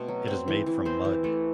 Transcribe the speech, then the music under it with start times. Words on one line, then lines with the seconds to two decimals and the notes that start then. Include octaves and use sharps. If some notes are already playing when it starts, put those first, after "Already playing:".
It is made from mud.
Already playing: B2 A3 C4
0.08 F#3
0.28 C4
0.48 E3
0.66 E3
0.85 C4 C5
1.05 E3
1.24 A3